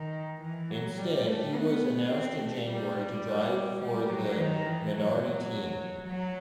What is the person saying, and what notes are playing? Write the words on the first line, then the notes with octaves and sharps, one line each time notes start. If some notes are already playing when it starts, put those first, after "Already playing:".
Instead, he was announced in January to drive for the Minardi team.
Already playing: D#3
E3
F#3
G3
A3
B3
C4
A3
G3
G3
F#3
D#3
E3
F#3
F#3